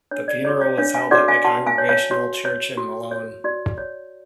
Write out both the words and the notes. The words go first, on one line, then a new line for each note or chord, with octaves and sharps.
The funeral was held at the Congregational church in Malone.
D4 C#5
D5
F#4 A4 C#5 D5
C#5 F5
D4 C#5 F5
F5 G#5
F#4 A4 C#5 D5 F#5
F5 G#5
F#4 F#5 A5
F5 G#5
C#5
C#5 F5
F#4 C#5
C#5
F#4
C#5
F#4 D5
C#5